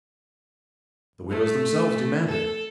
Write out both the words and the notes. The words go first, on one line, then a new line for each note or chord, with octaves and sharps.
The widows themselves demand it!
A3
A4